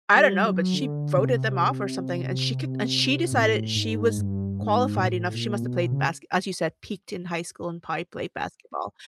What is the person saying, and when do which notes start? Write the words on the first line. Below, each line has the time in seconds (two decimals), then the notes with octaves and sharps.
I don't know, but she voted them off or something, and she kicked and she decided she was qualified enough. She must've played baske as you said, peaked in high school and probably played basketball,
0.15 G3
0.44 F#3
0.73 D3
1.16 C3
3.32 A2
3.75 G#2
4.17 G2
4.61 G#2
4.96 A#2
5.05 A2
5.33 A#2
5.62 B2
5.91 C#3